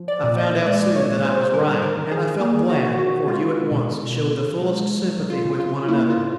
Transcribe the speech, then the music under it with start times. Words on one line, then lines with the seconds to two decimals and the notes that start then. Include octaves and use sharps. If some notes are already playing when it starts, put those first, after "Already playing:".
I found out soon that I was right, and I felt glad, for you at once showed the fullest sympathy with one another.
Already playing: F3
0.08 D5
0.23 A#2
0.38 D#5
0.66 G#3 D5
0.96 C#5
1.10 A#2
1.25 C5
1.53 G3 A#4
1.82 A#4
1.97 D#3
2.11 G#4
2.40 A#3 G#4
2.70 F#4
2.85 D#3
2.98 F#4
3.27 G#3 F4
3.71 B2
4.15 B2
4.58 G#3
5.02 F#3
5.30 F4
5.45 C#3
5.60 F4
5.88 A#3 E4
6.10 F4